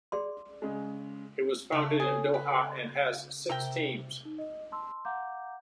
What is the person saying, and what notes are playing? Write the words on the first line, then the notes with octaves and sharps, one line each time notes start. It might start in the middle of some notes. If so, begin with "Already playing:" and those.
It was founded in Doha and has six teams.
G#4 D5 C6
C#3 G#3
C#3 A3 A#3
G#4 A4 C#5
B4
C3 A#4 E5 G5
D#4
D#5
A5 C6 E6
F5 F#5 A#5 D6 G6